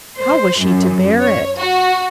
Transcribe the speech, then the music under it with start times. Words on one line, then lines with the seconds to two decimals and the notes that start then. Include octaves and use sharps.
How was she to bear it?
0.18 C5
0.60 F#2
1.20 C#5
1.59 F#4